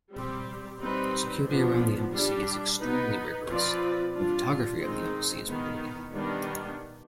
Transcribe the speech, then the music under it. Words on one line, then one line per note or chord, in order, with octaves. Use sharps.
Security around the Embassy is extremely rigorous and photography of the embassy is prohibited.
G3 C4 G4
G3 C4 D#4 B4
F3 B3 D4
G3 D4 G4
B3 D#4 B4
F3 C4 F4 B4 D5
G3 D4 F4
D#3 G#3 C4 D#4
D#3 B3 D#4
D#3 G3 B3 D4